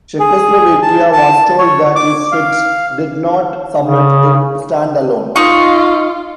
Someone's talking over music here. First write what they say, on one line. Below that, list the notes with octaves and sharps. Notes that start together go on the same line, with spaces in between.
Czechoslovakia was told that if it did not submit, it would stand alone.
G#4
A5
A5
C#5
D6
F5
C#3
D#4 F4 C#6